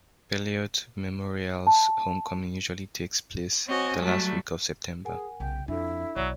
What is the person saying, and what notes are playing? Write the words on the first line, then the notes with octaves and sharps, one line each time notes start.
Beloit Memorial's homecoming usually takes place the last week of September.
A5
C4 F#4 C#5 D#5 G#5
F#3 G3 A3 F#4
G#4 A#4 F#5 G#5
B1 C#3 G5
F2 D4 E4 A4
B1 F#3 C#5 D5